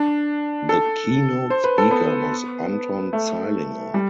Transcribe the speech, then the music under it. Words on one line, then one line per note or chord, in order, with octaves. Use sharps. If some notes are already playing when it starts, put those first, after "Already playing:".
The keynote speaker was Anton Zeilinger.
Already playing: D4
A4
C5
B4
A4
B3
A3
G3